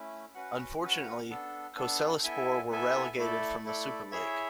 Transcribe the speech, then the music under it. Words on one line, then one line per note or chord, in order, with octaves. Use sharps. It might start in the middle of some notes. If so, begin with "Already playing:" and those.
Unfotunately, Kocaelispor were relegated from the Superlig.
Already playing: A3 C#4 E4
C#4 F#4 B4 F#5
C#4 F#4 B4 F#5
B3 D4 A4
B3 D4 A4
B3 E4 A4 E5 G#5
B3 E4 A4 E5 G#5
A3 E4 A4 D5
A3 E4 A4 D5
E4 G#4 C#5 E5